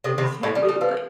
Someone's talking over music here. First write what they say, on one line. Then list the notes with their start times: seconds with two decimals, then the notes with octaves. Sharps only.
you can't really, like
0.04 C3 C4 A4
0.18 C3 C4
0.24 B5
0.43 A2 A3 B5
0.55 G3
0.63 A4
0.69 G3
0.81 F3 B4